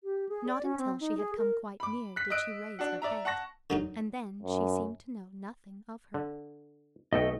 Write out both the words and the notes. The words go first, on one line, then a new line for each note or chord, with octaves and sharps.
Not until she had come quite near did she raise her head, and then she seemed to know nothing of her.
G4
G#4
D5
C#4
C4
D#4
G#4
A#4
B5 D6
F#6 B6
D#5 E6 F#6 D7
D4 F#4 F#5
D5 E5 A#5
F#5 A5 C#6 A#6
D3 F#3 D#4
F#2
D3
B1 A3 A4 D#5 G5